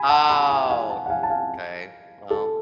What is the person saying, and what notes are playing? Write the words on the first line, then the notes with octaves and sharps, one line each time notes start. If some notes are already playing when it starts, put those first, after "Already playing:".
Oh, okay. Well
Already playing: G#5 B5
F#5 A5
G#5 B5
F5 G#5
F#5
F5 G#5
F#5 A5
F#5
F5 G#5
A5
F5 G#5
A4